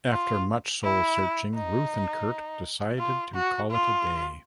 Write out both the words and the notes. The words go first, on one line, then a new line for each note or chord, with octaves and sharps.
After much soul- searching, Ruth and Kurt decided to call it a day.
F4
E4
D#4
F4
F#4
F4